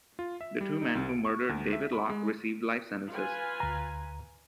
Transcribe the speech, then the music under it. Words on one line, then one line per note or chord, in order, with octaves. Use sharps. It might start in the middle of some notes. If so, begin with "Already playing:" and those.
The two men who murdered David Locke received life sentences.
F4
E5
G3
D#4
C2
D7
C#6
D2
E5
B5
G#3
F4 B4 G#5
D2 A#5